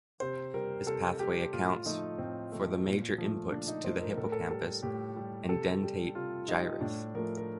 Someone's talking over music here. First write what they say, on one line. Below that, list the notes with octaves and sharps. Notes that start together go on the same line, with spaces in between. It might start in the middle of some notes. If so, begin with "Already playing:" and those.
This pathway accounts for the major inputs to the hippocampus and dentate gyrus.
C3 C5
G3 A#4
C3 A4
G3 G4
A2 F4
F3 A3 D#4
A2 C4
F3 A3
A#2
F3 A3
A#2 D4
D#4
F3 A3 C5
A#4
A2 A4
A#4
A4
G3 A4
A2 G4
G3
C3 A4
G3
C3 F4
G3 D#4
A2 D4
F3 A3 A#4
A#4